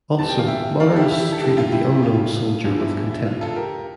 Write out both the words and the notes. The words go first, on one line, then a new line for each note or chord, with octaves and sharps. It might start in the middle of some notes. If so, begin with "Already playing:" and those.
Also modernists treated "The Unknown Soldier" with contempt.
E2 E3 G3 A5
G5
F5
E5 G5
D5 F5
A4
E4 G4
E4 G4
A4
F2 D3 G3 E4 G4
F4
E4 G4
F4
E2 D3 F3 F4
E4
E4
E4
F4
F4 A4
G4 A#4